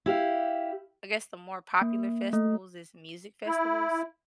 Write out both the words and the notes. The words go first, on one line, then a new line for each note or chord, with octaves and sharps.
I guess the more popular festivals is music festivals.
E4 G4 F5
A#3
A3
E4